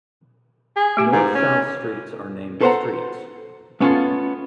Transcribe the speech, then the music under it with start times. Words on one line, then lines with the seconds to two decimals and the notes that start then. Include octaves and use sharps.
North-south streets are named streets.
0.76 G#4
0.97 A3 G4 G#5
1.12 G#2
1.35 C#4
2.61 A4 B4 C5 D#5 F#5 A#5
3.80 A3 B3 C#4 D4 F4 A4